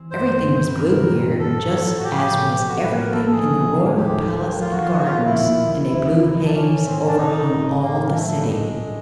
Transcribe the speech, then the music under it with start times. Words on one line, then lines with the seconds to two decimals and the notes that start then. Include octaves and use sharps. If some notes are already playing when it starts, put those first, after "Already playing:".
Everything was blue here, just as was everything in the Royal Palace and gardens, and a blue haze overhung all the city.
Already playing: E3 G3 C4
0.11 G2 C5
0.32 G2
0.55 G2
0.69 B4
0.75 E3 A#4
0.97 G3
1.19 G2
1.39 A1 A4
1.62 F3
1.82 A1
1.99 F#4
2.04 A2 G4
2.25 A2
2.46 A1
2.69 A2 F#4
2.84 B4
2.90 F3
2.98 A#4
3.11 A1 A4
3.32 A1 G#4
3.53 A1
3.75 A2
3.97 D#2 G4
4.18 D#2
4.40 A#3
4.60 F3 F4
4.72 F#4
4.82 A#3 F4
4.93 F#4
5.04 A#3 F4
5.25 D#2 E4
5.46 D#2
5.69 D#2
5.89 C#3 E4
6.11 A#3
6.24 E4
6.32 C#3 D#4
6.44 D4
6.54 A#3 C#4
6.75 A2
6.86 C4
6.97 A#3 C#4
7.07 D4
7.17 A#3 D#4
7.39 A2
7.61 D4
7.82 A2 A#3
8.04 F#3
8.14 A3
8.26 F#3
8.38 G3
8.46 F#3 G#3
8.68 D4